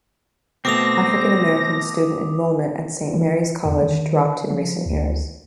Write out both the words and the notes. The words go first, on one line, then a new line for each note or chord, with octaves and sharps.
African-American student enrollment at Saint Mary's College dropped in recent years.
B2 A3 C4 D6 D#6 A#6 F7
E3
E2
D#3
F3
D2